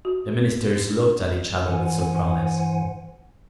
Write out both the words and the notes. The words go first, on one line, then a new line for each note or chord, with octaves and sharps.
The ministers looked at each other with surprise.
F#4
D4
G2 E3 C5 F#5 G#5